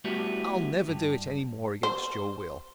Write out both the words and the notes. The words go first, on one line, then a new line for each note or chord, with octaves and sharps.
I'll never do it any more against your will.
G3 A3 B3 E4 F#4 G4
G2
C5